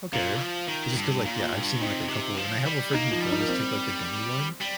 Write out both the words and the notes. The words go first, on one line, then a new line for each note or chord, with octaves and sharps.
Okay, it's just 'cause, like, yeah, I've seen, like, a couple, and I have a friend who does take, like, the gummy one,
A#2 F4
F3
D#3
G2
A#2 F4
G2
C3 D#4
C3
F3
G3
A#3 D#4
F3
G3
D#4
A#3
C4
G3